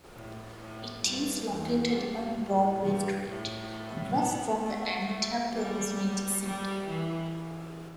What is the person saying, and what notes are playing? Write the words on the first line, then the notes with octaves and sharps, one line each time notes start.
It is located on Broadway Street, across from the Anita Purves Nature Center.
A2
A2
G2
E2
G2
A2
G2
A2
B3
A3
A3
G3
G3
E3